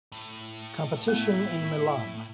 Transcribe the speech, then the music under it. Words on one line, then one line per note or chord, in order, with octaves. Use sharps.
Competition in Milan.
A2
A3 B3 E4